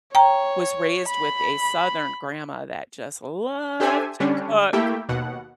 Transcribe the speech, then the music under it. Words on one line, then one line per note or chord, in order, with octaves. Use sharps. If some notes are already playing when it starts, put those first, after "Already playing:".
was raised with a southern grandma that just loved to cook
C#5 G5 A#5
B5
D4 G4 A4 C5 E5 G#5
D3 G3 C#4 D4
A3 A#3 E4 G4 E5 G5
D#2 B2 F#5